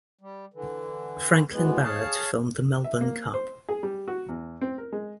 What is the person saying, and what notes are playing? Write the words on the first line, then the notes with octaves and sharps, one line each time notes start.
Franklyn Barrett filmed the Melbourne Cup.
G3
D3 E3
D2 A2 E3 G#3 B3
G#4 C#5 F5 A5
E5
A#3
C5
G#4
G3
F#4
E2
C4
A#4
G#3